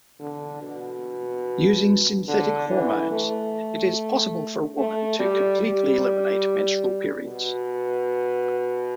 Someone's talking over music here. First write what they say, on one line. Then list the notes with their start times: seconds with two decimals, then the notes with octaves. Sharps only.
Using synthetic hormones, it is possible for a woman to completely eliminate menstrual periods.
0.20 D3
0.62 B2
2.28 D3
2.70 E3
3.12 A3
4.78 A3
5.19 G3
5.61 G3
7.28 B2